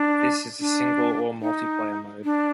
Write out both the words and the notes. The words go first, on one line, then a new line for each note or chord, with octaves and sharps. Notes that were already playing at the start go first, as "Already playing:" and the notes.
This is a Single or Multiplayer mode.
Already playing: D4
D4
D#4
D4